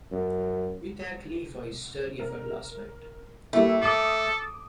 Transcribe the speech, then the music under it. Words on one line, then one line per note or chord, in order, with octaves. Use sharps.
We thank Lee for his sturdy effort last night.
F#2
A#4
G3 A3 A#3 E4
A4 D6 D#6